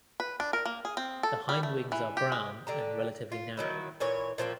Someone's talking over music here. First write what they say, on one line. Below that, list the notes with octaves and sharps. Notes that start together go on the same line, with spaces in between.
The hindwings are brown and relatively narrow.
B4
D4
A#4
A#3
G#4
C4
A4
G3
A3
E3
G4
G#3
D3 G4 A#5
F4
D#3 F#3 E4
A#2 E3 C#5
A#2 F3 A#3 C4